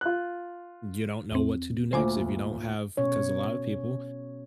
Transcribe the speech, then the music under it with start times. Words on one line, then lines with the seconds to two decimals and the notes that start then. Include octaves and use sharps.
you don't know what to do next if you don't have 'Cause a lot of people
0.01 F4 F#6
1.32 E2 C4
1.93 D2 A#2 C5 G#5 D6
2.97 B2 C#4 C#5